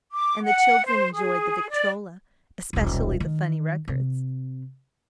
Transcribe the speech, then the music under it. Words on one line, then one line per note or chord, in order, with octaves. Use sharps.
And the children enjoyed the victrola, especially the funny records.
D6
F#5
C5
G#4
D5
D#1 B1
D#3
C3